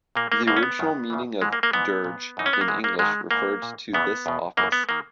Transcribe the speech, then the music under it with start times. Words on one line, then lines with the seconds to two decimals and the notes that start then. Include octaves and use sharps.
The original meaning of "dirge" in English referred to this office.
0.15 A#2 A#3
0.32 A#3
0.47 E2 B2 A#3
0.56 C#4
0.63 B3
0.79 F#2 D#3
1.10 E2 C#3 E3
1.41 G#2 E3 G#3
1.53 A#3
1.63 A#3
1.73 G#2 E3 B3
2.04 A#2
2.37 F#2 E3 D#4
2.46 C#4
2.53 B3
2.61 A#3
2.68 F#2 E3 G#3
2.84 A#3
2.99 G#2 D#3 G#3
3.31 G#2 E3 A#3
3.62 A#2
3.93 E2 C#3 E3 B3
4.26 E2 B2
4.57 F#2 C#3 E3 A#3
4.72 B3
4.89 D#3 A#3